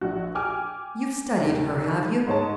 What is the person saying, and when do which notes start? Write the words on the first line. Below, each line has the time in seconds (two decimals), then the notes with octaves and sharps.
You've studied her, have you?
0.01 A#1 F#4
0.35 G5 G#5 D6 F6
1.41 D#2 D#3
2.27 G#2 C#5 A5